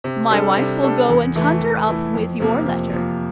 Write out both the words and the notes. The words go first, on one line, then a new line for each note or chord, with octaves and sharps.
My wife will go and hunt her up with your letter.
C3
G3 D4 A4
C3
G3 D4 A4
E2
E3 A3 E4
E2
E3 A3 E4
F2
C3 F3 A#3
F2
C3 F3 A#3